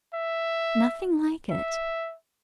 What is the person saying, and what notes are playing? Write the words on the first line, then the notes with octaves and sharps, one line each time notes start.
Nothing like it.
E5
E5